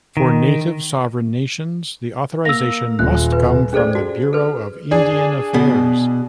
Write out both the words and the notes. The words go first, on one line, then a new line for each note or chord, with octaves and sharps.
For Native Sovereign Nations, the authorization must come from the Bureau of Indian Affairs.
D#3
A#3 F5 E6 A#6 F7
D#1 F#6
B4
C#4 G#4 A4 C5 D5
F#4
A4 B4
D4 G#4
B2